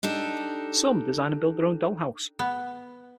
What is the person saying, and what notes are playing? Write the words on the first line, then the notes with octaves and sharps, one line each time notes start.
Some design and build their own dollhouse.
D4 D#4 G4 A4
B3